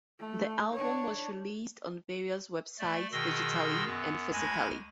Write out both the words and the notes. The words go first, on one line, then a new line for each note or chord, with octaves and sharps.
The album was released on various websites digitally and physically.
A3
D4 C#5
A3 D5
B2 D#3 G#4 C6 E6 A#6
F#2 B3
D2 G#3 G#5 B5 G#6 A#6